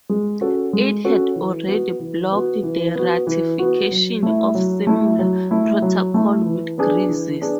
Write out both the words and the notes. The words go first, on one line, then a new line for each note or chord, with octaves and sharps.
It had already blocked the ratification of similar protocol with Greece.
G#3
C#4 F#4 A4
G#3
C#4 F#4 A4
E3
B3 F#4
E3
B3 F#4
E3
B3 F#4
E3
B3 F#4
F#3
A3 E4
F#3
A3 E4
F#3
A3 E4
F#3
A3 E4
E3
B3 D4 G#4
E3
B3 D4 G#4